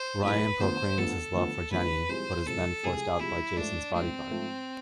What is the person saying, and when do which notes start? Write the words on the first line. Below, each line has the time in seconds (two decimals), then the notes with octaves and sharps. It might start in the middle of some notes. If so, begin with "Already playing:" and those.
Ryan proclaims his love for Jenny but is then forced out by Jason's bodyguard.
Already playing: C5
0.23 B1 A2 G#3 B4
0.60 D2 D3 F3 B3 C5
0.97 D2 D3 F3 B3 A4
1.34 D2 D3 F3 B3
1.71 D2 D3 F3 B3 B4
2.09 C2 C3 F3 G#3 C5
2.45 C2 C3 F3 G#3 A4
2.83 C2 C3 F3 G#3 G#4
3.19 C2 C3 F3 G#3 E4
3.57 G#2 F3 A3 D4
3.94 G#2 F3 A3 C4
4.31 G#2 F3 A3